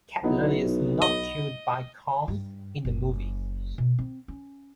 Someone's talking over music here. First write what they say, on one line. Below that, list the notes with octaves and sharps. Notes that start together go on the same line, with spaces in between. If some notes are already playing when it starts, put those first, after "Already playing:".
Katla is not killed by Karm in the movie.
B1 B3 D#4 E4
D#5
G2
F#1
B2
C4
C#4